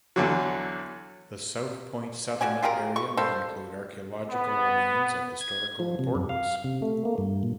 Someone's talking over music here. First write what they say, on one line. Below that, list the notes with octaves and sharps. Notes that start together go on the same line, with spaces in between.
The South Point Settlement area may include archaeological remains of historical importance.
E2 D3 F#3
F3 F#4 D5 G#5
F4 G4 G#4 A#4
C#6
G3 A#3 A4 C5
B3
G#6
F3
C3
F#2
F5
C3
A3
A#3
G2
A#2